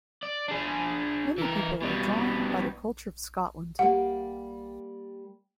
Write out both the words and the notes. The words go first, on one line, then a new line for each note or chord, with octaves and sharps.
Many people are drawn by the culture of Scotland.
D5
D4 G#4
E3 A#4
B2 G3
G3 A#3 F#5